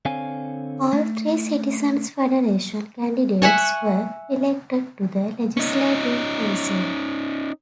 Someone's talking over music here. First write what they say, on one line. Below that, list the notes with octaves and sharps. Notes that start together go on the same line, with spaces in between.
All three Citizen's Federation candidates were elected to the Legislative Council.
D3 C4 C#5 F5 G#5
A3
E5 F#5 G#5 C#6
C#4 D#4